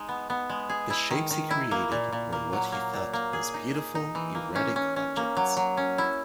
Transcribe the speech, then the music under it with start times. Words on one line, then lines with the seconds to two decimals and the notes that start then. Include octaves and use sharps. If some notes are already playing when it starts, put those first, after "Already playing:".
The shapes he created were what he thought was "beautiful, erratic objects".
Already playing: G#3 D#4
0.09 B3
0.30 B3
0.50 G#3
0.69 G#4
0.90 E4
1.11 D#3
1.31 D#3
1.51 E4
1.71 A#3
1.92 A#2
2.12 A#2
2.33 A#3
2.53 F#3
2.72 A#3
2.93 A#2
3.13 A#3
3.33 G#4
3.54 D#4
3.74 G#4
3.95 D#4
4.15 E3
4.35 A#3
4.56 C#4
4.76 C#4
4.96 C#4
5.17 A#3
5.37 F#3
5.57 F#3
5.77 C#4
5.98 E4